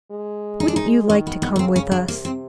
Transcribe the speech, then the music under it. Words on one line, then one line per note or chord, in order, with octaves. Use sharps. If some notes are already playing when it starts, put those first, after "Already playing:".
Wouldn't you like to come with us?'
G#3
D#4
D4
D#4
D#3 C#4
B3
B3
B3
C#3 C4
C#4
D4
C3 A#3
C4